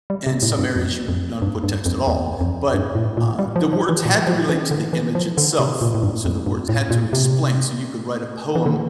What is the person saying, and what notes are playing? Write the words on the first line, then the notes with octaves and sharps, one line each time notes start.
and some areas, you would not put text at all, but, uh, the words had to relate to the image itself, so the words had to explain, so you could write a poem
G3
C3
A2
G2
F2
F2
G2
G2
F2
E2
F2
G2
A2
A#2
G3
F3
F3
E3
A#2
F3
E3
D3
E3
F3
D3
C3
A#2
A2
G2
F2
G2
A2
A#2
C3
E3
D3